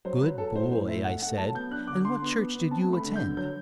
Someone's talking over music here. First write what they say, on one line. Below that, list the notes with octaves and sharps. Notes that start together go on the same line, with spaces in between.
"Good boy," I said, "and what church did you attend?"
F#3 C5
F#3 B4
F#3 A4
A2 C5
A2 C5
A3 E5
A3 F#5
A3 F#5
F#3 A5
B3 G6
D4 F#6
D3 D6
D4 C6
B3
B3
B3
C4 A5
A3
B5
D3
G6
D3
F#3 G6